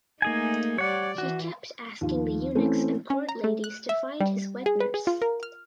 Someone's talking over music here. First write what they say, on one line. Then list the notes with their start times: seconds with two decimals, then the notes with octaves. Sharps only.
He kept asking the eunuchs and court ladies to find his wet nurse.
0.22 A3 A#3 D#4 G#4 G#5
0.78 G3 C#5 D5 F#5
1.18 E3 F#4
2.01 D#2 F3
2.55 E3 A3 C4 C#4
3.10 C#4
3.29 A#5
3.44 A3
3.64 F#6
3.89 E5
4.20 G3
4.66 G#4
4.80 B4
4.94 G#4
5.07 F4
5.22 A#4
5.43 F6